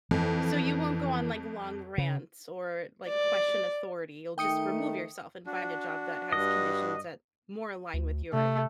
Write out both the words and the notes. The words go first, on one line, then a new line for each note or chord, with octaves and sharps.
So, you won't go on, like, long rants or, like, question authority. You'll just remove yourself and find a job that has conditions that more align with your
F2 E3
C#3
D5
D#3 A3 D#4 G5 D#6 C#7
D4 F#4
G2 D#5
D2
C3 A3